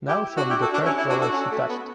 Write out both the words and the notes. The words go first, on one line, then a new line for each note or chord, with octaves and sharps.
Now show me the first drawer she touched.
E4 G4
D4 F#4
E4 G4
F#4 A4
D4 F#4
C#4 E4
C#4 E4
D4 F#4
F#4 A4
C#4
A3
B3